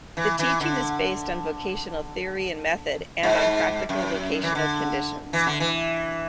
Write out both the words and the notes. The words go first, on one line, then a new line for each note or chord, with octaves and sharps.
The teaching is based on vocational theory and method and on practical vocational conditions.
E3
E3
D3
G#2
F#2
E3
D3
E3
D3
E3